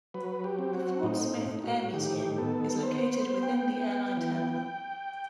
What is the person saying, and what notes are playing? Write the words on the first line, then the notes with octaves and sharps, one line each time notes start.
The Fort Smith Air Museum is located within the airline terminal.
F#3 B4
G4
C4
F#4
A2 D#4
D#4
C4
A2 D#4
F#4
D#3 G4
B3 A4
B3 C5
C5
B3
G5
B3
E3